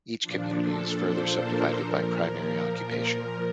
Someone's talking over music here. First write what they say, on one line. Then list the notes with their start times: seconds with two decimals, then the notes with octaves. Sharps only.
Each community is further subdivided by primary occupation.
0.22 A#2 F3 D4
0.61 A4
1.00 C5
1.39 A#4
1.78 A#2 F3 A#4